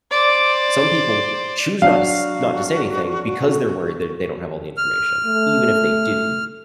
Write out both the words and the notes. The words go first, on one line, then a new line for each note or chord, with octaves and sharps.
Some people choose not to s not to say anything because they're worried there they don't have all the information, even if they do.
C5 D5
F#3 D4 F#4 F5
F6
A3